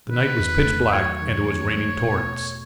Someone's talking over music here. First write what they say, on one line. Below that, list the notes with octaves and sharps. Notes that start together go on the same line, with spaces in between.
The night was pitch black and it was raining torrents.
D#3 B4
E2
A3
F#3 C#5
D#3
E2
A3
B2
B2